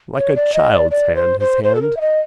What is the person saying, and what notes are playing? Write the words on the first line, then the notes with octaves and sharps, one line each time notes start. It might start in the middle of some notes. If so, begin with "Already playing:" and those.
Like a child's hand, his hand.
C#5
D5
D#5
D5
D5
C5
C5
C5
A4
A#4
E5
D#5